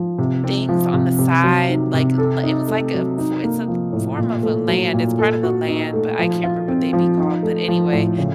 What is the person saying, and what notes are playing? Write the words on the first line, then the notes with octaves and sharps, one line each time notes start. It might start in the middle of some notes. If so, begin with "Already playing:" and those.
things on the side, like, it was like a it's a form of a land It's part of the land, but I can't remember what they'd be called, but, anyway
Already playing: F3
C3
C4
F3
C3
C3
F#3
D#3
C3
A4
D#4
A3
F#3
D#4
A#3
F3
A2
A#2
A3
F#3
A#2
A4
F#4
D#4
A3
F3
F4
C4
F3
D#4
A3
F3
A2
C#3